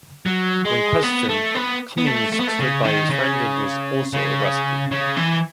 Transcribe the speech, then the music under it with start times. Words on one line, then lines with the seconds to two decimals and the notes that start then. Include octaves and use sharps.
When questioned, Cummings stood by his friend and was also arrested.
0.26 F#3
0.65 G#3
1.03 B3
1.29 A3
1.54 B3
1.98 B3
2.07 A3
2.32 A3
2.39 B3
2.47 A3
2.59 C#3
2.84 D#3
3.10 C#3
4.13 C#3
4.91 C#3
5.17 E3